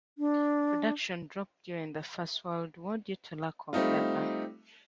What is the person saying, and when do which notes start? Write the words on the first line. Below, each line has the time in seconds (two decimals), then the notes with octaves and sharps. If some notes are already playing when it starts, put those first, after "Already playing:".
Production dropped during the first world war due to lack of labour.
0.18 D4
3.73 G3 A3 C4 D#4 F4